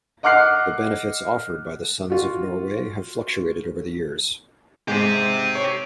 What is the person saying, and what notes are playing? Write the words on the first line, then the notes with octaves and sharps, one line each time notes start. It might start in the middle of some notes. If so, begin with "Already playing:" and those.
The benefits offered by the Sons of Norway have fluctuated over the years.
D#5 F#5 D6 F6 F#6 C7
F4 F#4
G#2 G4 C5
C#5